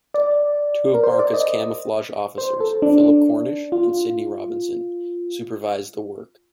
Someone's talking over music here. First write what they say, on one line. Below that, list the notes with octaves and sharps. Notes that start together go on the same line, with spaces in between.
Two of Barkas's camouflage officers, Phillip Cornish and Sidney Robinson, supervised the work.
D5
A#4
C5
D5
D#5
C5
A4
D4
F4